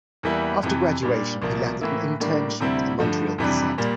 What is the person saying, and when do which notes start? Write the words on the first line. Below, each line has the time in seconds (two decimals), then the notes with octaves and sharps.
After graduation, he landed an internship at the Montreal "Gazette".
0.23 E2 E3 G3 A#3 E4
0.63 F2 C3 E3
1.02 A#2 G3 D4
1.42 C2 A#2 F3 A#3
1.81 A2 E3 A#3 E4
2.20 A2 G3 A#3 D4
2.60 D2 C3 G3 C4 E4
2.99 G2 D3 F3 A3
3.38 F2 C3 E3 G3 D4
3.78 A#2 G3 A#3